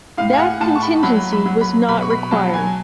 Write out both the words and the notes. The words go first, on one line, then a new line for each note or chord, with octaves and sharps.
That contingency was not required.
A2 F5
G#5
F#5
A2 A5
C#6
B5
F#3 B5
B5
F#3
B5
B2 B5
C#6
B5
F#3 A5
G#5